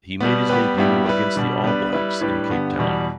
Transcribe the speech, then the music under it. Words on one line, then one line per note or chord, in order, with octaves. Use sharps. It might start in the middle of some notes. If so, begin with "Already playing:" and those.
He made his debut against the All Blacks in Cape Town.
B2 G3 B3
G3 B3 G4 B4
G2 G3 B3 E4 G4
G3 E4 B4
B2 G3 D4
G3 B3 D4 B4
G3 E4 B4
A2 G3 D4 G4 B4
G2 D3 B3 G4
E2 B2 G3